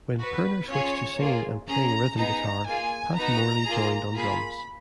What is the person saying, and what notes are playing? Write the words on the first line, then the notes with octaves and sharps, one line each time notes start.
When Pirner switched to singing and playing rhythm guitar, Pat Morley joined on drums.
B3 F#4 B4
C#4 F4 G#4 C#5
A#3 F4 G#4
C#4 G#4 A#5
B3 D#4 G#4 A#5
A#3 F4 G#4 G#5
B3 D#4 F#4 A#5
A#3 F4 G#4
A#3 F4 G#4 B5